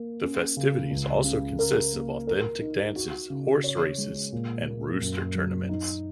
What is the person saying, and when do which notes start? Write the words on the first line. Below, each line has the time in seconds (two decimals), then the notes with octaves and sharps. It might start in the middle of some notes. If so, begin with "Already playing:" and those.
The festivities also consist of authentic dances, horse races, and rooster tournaments.
Already playing: A#3
0.22 C#4
0.57 C#3
0.91 C#2
1.24 C#3
1.59 A#4
1.93 A#3
2.27 A#4
2.61 D#4
2.96 F#4
3.30 C#3
3.64 C#5
3.98 G#3
4.33 A#2
4.67 A#3
5.01 F#2
5.35 F#3
5.69 D#4